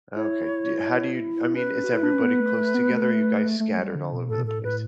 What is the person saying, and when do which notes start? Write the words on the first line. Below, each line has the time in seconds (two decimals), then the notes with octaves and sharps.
Okay, do you how do you I mean, is everybody close together, or are you guys scattered all over the place?
0.16 E4 C#5
1.54 C#4 B4
1.84 F#4
1.94 E4
2.03 D4
2.13 C#4
2.22 B3
2.40 A3
2.57 A3
2.74 B3
2.91 A3
3.60 A3
3.78 G3
3.95 D3
4.12 B2
4.29 A2 A4
4.38 B2
4.44 A2 A4
4.64 A2 B4